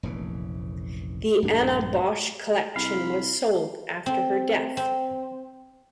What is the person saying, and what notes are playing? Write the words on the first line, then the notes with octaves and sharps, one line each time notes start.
The Anna Boch collection was sold after her death.
F1 A#1 C#3 E3
A#1 G2 D4
C2 F5 B5
C4
C4